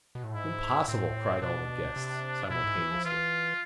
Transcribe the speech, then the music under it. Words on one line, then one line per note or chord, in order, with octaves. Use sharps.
"Impossible!" cried all the guests simultaneously.
B2
A2
G#2 E4
A2 C4
B2 D4
C3
B2 E4
G#2
E3
F3
E3 F4